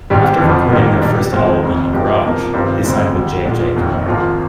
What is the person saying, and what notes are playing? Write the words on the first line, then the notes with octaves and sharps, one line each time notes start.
After recording their first album in a garage, they signed with Jagjaguwar.
G#1 G#2 G3 D4 G4
F1 F2 D3 F3
G#2 D#3 G3 A#3 D#4
A#1 A#2 G3 D4
G#2 D#3 G#3 C4 F4
F1 F2 C3
G2 F3 G#3 D#4 G4
C2 C3 F3 A#3
G2 D#3 G3 C4 F4
D2 D3 G#3 C4
D2 D3 G3
A#1 A#2 G#3 D4 F4
F1 D#2 D#3
G#1 G#2 F3 A#3 F4